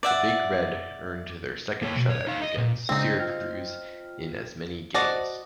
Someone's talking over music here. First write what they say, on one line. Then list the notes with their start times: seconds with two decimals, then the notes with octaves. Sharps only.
The Big Red earned their second shutout against Syracuse in as many games.
0.03 D5 E5 F#5
1.82 A#3 C#5
1.96 B1
2.10 C#5
2.27 D#4 F5
2.42 D#5
2.57 A#2
2.89 C#3 G#3 C4 D4 D#4
3.19 F4 G5 F6
4.95 F#4 C5 D5 D#5 A5